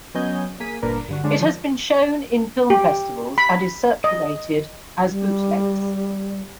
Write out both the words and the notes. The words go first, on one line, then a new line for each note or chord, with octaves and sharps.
It has been shown in film-festivals and is circulated as Bootlegs.
F#3 B3 C#4 D#5 G#5 G6
A#3 G#4 B6 D#7
G1 A#2 A#3 D4 A#4 B4
G2 D3 F#4
D3 G#3 D4 C#5
D#3 F3 D4
G4
B5
D#5
G3